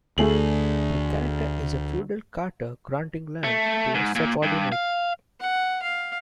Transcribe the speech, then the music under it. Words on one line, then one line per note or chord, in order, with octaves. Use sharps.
The charter is a feudal charter granting lands to a subordinate.
D2 A3 G#4 F#7
A3
G#2
A#2
G2
F5
F#5
F5